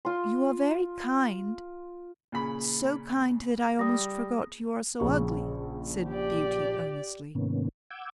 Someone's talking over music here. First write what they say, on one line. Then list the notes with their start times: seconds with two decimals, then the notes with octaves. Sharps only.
"You are very kind--so kind that I almost forgot you are so ugly," said Beauty, earnestly.
0.05 F4 C6
2.32 A#2 C#3 B5
3.79 G3 D#6 A#6
5.00 A#1 C#3 C#6
6.08 G4 D5
7.35 G#2 C3 D#3 A#3 B3 C#4
7.91 F#5 D6 E6 G6 G#6